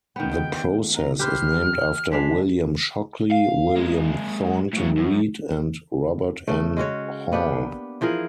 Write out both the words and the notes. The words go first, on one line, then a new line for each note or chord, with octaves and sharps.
The process is named after William Shockley, William Thornton Read and Robert N. Hall.
D#3 B3 G5
A#5
G4 B4 C5 F6
G#3 D4 F5 B6
F5
G#3 A#3
A2 F#3
F#2
C#3 A3
G#3 C#4 F#4 C#5
A#3 B3 D4 G4
E3 F3 G#4 A#4